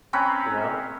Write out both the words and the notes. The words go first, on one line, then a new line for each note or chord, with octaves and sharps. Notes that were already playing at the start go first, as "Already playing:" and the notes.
you know?
C4 C#4 B4 A#5